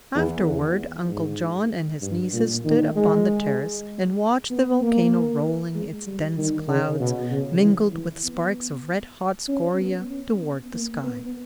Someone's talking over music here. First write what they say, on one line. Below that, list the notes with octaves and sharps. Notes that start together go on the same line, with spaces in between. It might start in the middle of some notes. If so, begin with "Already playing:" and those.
Afterward Uncle John and his nieces stood upon the terrace and watched the volcano rolling its dense clouds, mingled with sparks of red-hot scoria, toward the sky.
E2
E2
G#2
G2
A#2
D#3
G#3
B3
A#3
G#3
G3
D#3
C#3
B2
C#3
E3
E3
B3
C#4
B3
C#4
B3
A#3
B3